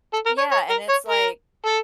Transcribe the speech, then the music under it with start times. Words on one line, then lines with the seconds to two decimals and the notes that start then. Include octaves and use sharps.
Yeah, and it's like
0.13 A4
0.26 A#4
0.38 C#5
0.51 C#5
0.70 A#4
0.89 C#5
1.08 A#4
1.66 A4